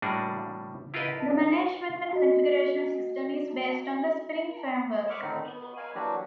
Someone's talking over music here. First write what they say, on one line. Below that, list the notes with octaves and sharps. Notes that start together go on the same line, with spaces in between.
The management and configuration system is based on the Spring Framework.
A2 G3 A#3 D4 F#4 G#4
E4 F4 G4 A#4 B4 D#5
F#4 D#5
E5 F#5 C#6 D6 F6
A2 D3 D#3 C4 D#4
B3
F5 G#5
E3 F#3 A#3 D4 F#4 G4